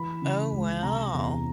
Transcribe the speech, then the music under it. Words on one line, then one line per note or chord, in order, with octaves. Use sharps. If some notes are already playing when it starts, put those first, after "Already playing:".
Oh, wow.
Already playing: E3 B5
C#3
C#2
C3 A#5
E2